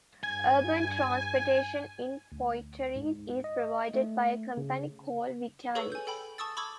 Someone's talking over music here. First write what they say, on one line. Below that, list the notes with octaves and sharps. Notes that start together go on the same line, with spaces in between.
Urban transportation in Poitiers is provided by a company called Vitalis.
G2 G#5 G#6
D2
G#2
D#5
A3
C#3
G#4 A4 B4 C#5 C#6 E6
G#5 G6
A4 G5 B5
A5 C#6 D#6 E6 A6
B5 C#6 D6 E6 G#6